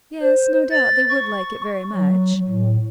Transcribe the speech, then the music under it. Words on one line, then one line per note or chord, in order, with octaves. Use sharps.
"Yes; no doubt they would like it very much."
C5
A6
C#6
F#3
A2